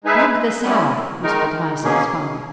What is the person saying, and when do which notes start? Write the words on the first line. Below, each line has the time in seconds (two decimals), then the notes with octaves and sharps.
"Drug the sow," whispered Hyacinth's father.
0.04 G#3 D#4 G#4 B4 E5
0.64 G3 C#4 E4
1.23 D#3 G#3 D#4 A#4
1.82 B2 A#3 C#4 G#4